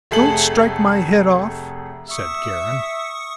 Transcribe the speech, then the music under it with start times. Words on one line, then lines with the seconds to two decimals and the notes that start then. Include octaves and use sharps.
"Don't strike my head off!" said Karen.
0.11 F1 A3 G#4 A4 F#7
2.11 E5 C#6 D#6 C#7